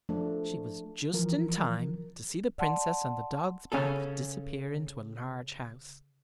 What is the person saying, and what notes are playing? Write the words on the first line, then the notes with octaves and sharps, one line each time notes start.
She was just in time to see the Princess on the dog's back disappear into a large house.
F3 A3 D4
E3 F3 A#4
D5 F#5 A5 C6
C#3 C#4 G#4 A4